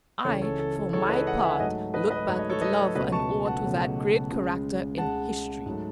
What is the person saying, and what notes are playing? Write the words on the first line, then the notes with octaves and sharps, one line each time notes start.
I, for my part, look back with love and awe to that Great Character in history.
C#2 C#3 E3 A4 C#5
A4 C#5
A4
A4
C#2 C#3 E3 A4 C#5
B4 D#5
D#5 F#5
F#5
E5 G#5
G#2 F#3 A3 D#5 F#5
B4 D#5
B4 D#5
G#2 F#3 A3 C#5
D#5
A4 C#5
B4 D#5
C#2 B2 F#3 A3 B4 D#5
A5 C#6
F#5 A5
C#2 B2 F#3 A3
C#2 C#3 G#3
C#2 C#3 G#3 F#5 A5
G#2 F#3 A3